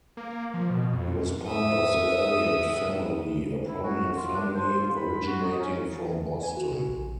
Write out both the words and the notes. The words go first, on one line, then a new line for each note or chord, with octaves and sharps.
He was part of the Eliot family, a prominent family originating from Boston.
A#3
F3
B2
F2
E5 D#6
E4
F#4
F4
D4
C5
F4
B5
F#4
D#4
C#4
G#5
F#4
A#1